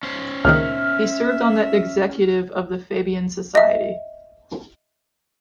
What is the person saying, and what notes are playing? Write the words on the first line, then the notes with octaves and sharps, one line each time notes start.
He served on the executive of the Fabian Society.
C#4 C5
C#2 A#2 D#3 E5 F6
D#5 E5